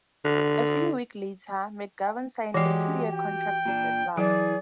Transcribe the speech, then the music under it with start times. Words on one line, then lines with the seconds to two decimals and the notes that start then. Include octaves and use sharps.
A few week later, McGovern signed a two-year contract with the club.
0.25 D3
2.54 E3 G#3 F#4 G4 D5
3.14 G5
3.65 A#2 D4
4.17 E3 F#3 G#4 D5